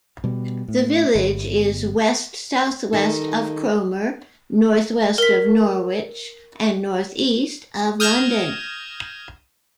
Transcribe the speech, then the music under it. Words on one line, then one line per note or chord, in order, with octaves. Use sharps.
The village is west-south-west of Cromer, north-west of Norwich and north-east of London.
B2 G3
A2
G1
D#3 G3 D#4 A4
A#4 B6
D#6 F6 G6 G#6 A#6 E7